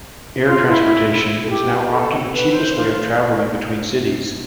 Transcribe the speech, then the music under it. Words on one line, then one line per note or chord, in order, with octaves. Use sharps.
Air transportation is now often the cheapest way of travelling between cities.
F4
E4
A4
G4
A4
B4
C5
F4